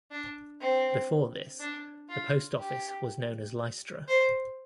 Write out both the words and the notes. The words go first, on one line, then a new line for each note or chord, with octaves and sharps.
Before this, the post office was known as "Lystra".
D4
C4
D4
F4
G4
C5